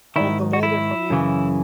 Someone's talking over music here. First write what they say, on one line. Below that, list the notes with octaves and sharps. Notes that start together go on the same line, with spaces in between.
Hold the ladder for me!
G#2 D#3 E4
F#4
E4
F#2 C#3 E3